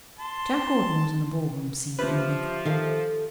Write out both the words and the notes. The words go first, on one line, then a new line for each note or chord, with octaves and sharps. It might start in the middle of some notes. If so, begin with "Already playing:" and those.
Jack Gordon was in the ballroom scene in make-up.
A5 C6
F3 G4 B4 E5 D6
D#3 A4 F5